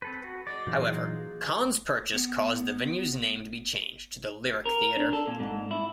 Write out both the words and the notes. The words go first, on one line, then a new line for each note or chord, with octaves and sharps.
However Kahn's purchase caused the venue's name to be changed to the Lyric Theatre.
C4 A4 B4
F#4
G#3 D5
A#2 E3 F#3 D#4 F4
B3
A#4
D4
A4
A#2
G#2
E4